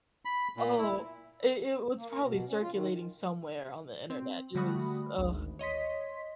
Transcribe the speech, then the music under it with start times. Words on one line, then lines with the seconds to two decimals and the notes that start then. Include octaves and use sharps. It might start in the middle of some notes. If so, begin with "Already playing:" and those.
Oh, i it well, it's probably circulating somewhere on the internet, it was, ugh,
0.25 B5
0.57 A#2
0.78 E4
1.97 A#3
2.10 A#4
2.24 B2
2.48 C#4
2.61 F4
2.73 D#3
4.10 C4
4.55 D3 G3 A3 F#4 B5 D#6
5.18 G#1 D2
5.59 C#5 D#5 C6 B6